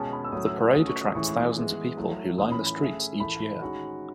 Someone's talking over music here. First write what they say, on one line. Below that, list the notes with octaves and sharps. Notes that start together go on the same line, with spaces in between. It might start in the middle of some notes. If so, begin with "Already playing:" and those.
The parade attracts thousands of people who line the streets each year.
Already playing: B2 G#3 C#4 G#4 G#5 A5
B5
E6
A2 F#3 C#4 F#4 D#6
E6
E6
A3 C#4 F#4 D#6
C#6
D#6
A2 E3 G#3 C#4 C#6
C#6
D#6
E3 G#3 B3
F#3 A3 E4
A2 E3 A3 C#4 D#6
B5
B5
A3 C#4 G#4 C#5 E5
A2 E3 A3 B5
D#3 G#3 C#4 F#4